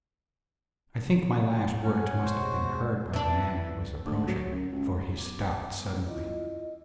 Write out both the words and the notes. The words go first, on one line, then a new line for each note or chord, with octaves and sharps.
I think my last words must have been heard by the man who was approaching, for he stopped suddenly.
G2 C#4 C#5 F#5
B2 G#3 F#4 C5
E3 D4
D2
F#3
F#2
C#2
F#3 B3 D6
E4 F4 D#5